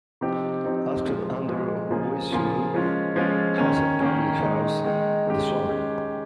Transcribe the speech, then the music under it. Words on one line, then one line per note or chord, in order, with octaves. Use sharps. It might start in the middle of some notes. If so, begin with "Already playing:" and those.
Ascott-under-Wychwood has a public house, The Swan.
C3 F3 C4 D#4 G4
C3 F3 C4 D#4 G4
A#2 F3 G#3
A#2 F3 G#3
C#3 F3 A#3 F4 G#4
C#3 F3 A#3 F4 G#4
F3 G#3 C#4 F4
F3 G#3 C#4 F4
D#3 A#3 C#4
D#3 A#3 C#4
D#3 G#3 D#4
D#3 G#3 D#4
D#3 G#3 C#4 G4
D#3 G#3 C#4 G4